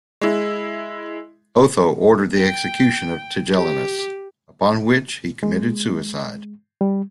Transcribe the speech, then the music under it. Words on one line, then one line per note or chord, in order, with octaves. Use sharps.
Otho ordered the execution of Tigellinus, upon which he committed suicide.
G#3 E4
G5
G4
G#3
G3